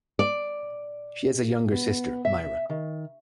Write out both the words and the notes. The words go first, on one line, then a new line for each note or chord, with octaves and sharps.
She has a younger sister, Myra.
D5
B3
E5
D#3